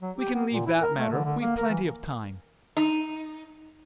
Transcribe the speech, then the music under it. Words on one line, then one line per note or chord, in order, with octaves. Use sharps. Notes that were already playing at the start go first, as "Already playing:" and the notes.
We can leave that matter--we've plenty of time.
F#3
G4
B3
A#2
E4
A#4
A3
D3
D3
A#3
A#4
E3
D#4